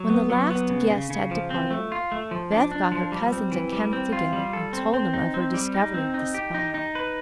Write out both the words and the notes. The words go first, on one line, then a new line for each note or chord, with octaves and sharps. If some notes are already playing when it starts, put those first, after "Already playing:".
When the last guest had departed Beth got her cousins and Kenneth together and told them of her discovery of the spy.
Already playing: F#3
B3
F#3
B3
C#3
C#3
C#3
F3
C4
A3
F4
A3
F3
D4
D4
F3
G3
C4
E3
G3
C4
F4
G3
A4
C4
C4
D#4
C4
G3
D#4
C4
D#4
G4
D#4
D#4
B4